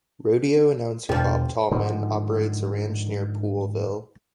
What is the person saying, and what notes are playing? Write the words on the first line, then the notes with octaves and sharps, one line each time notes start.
Rodeo announcer Bob Tallman operates a ranch near Poolville.
G1 E2 B2 D3 F3 G3
G#2 D3 D#3 F3